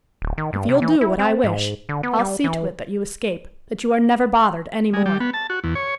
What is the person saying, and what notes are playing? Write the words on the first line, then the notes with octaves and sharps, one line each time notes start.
"If you'll do what I wish, I'll see to it that you escape--that you are never bothered any more."
D1
D#3
G2
C3
E3
E4
C4
G#2
D3
B3
G3
E3
G#3
G3
B3
A5
F#4
E2
C#5